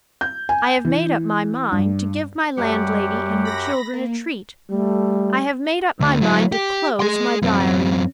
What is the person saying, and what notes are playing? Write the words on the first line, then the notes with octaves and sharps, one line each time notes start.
I have made up my mind to give my landlady and her children a treat; I have made up my mind to close my Diary.
G6
G#5
E3
G2
F#2 G3 G4 F#5
B5 A#6
A#3
G3 A3
D2 D3
F#3 E4
G4
G#4 C6
F#2 C4